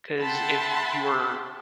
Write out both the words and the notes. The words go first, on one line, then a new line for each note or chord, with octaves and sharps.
'Cause if you were
E5 F#5 G5 A5 B5 C6